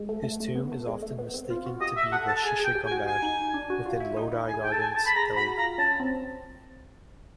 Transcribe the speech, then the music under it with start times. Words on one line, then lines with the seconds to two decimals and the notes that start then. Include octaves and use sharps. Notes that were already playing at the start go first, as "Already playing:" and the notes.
His tomb is often mistaken to be the "Shisha Gumbad" within Lodi Gardens, Delhi.
Already playing: G#3
0.09 A3
0.24 A3
0.40 A3
0.56 B3
0.72 A3
0.87 G#3
1.02 A3
1.19 B3
1.34 C4
1.50 F4
1.66 F#4
1.81 G4 D#5
1.96 E5
2.12 A4 F#5
2.28 A5
2.44 G#4 G#5
2.59 G#4
2.65 G5
2.75 G4
2.86 G#5
2.92 F#4
3.07 G#5
3.22 D#4
3.54 D4
3.70 F#4
3.86 F4
4.00 E4
4.17 D#4
4.32 E4
4.48 G#5
4.54 G#4
4.63 G5
4.72 A4 A5
4.80 G#5
4.94 G#4 A5
5.06 B5
5.16 G#4 A#5
5.37 F#4 B5
5.57 F4 A#5
5.78 C#4 A5
6.00 C4